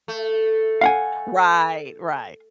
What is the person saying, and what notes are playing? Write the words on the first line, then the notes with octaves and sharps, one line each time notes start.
Right, right.
A3
F5 F#5 G#5